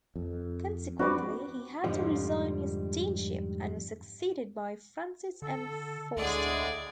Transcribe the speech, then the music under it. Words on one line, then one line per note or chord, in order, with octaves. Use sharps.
Consequently, he had to resign his deanship and was succeeded by Francis M. Forster.
F2
F3 C4 D4 F#4 B4 D5
F2 G#2 D3 F3 G3 F4
D3 A4
D2 A2 D3 G#3 G#4 D5